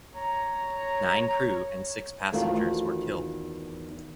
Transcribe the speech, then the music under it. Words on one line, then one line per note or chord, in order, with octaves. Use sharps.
Nine crew and six passengers were killed.
C#5 A#5
E2 D#3 A3 C4 F4 F#4